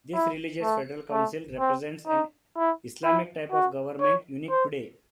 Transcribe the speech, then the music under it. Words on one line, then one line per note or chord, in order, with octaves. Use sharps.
This religious federal council represents an "Islamic type of government" unique today.
E4
A3
A3
C4
D#4
E4
E4
F#4
C#5
C5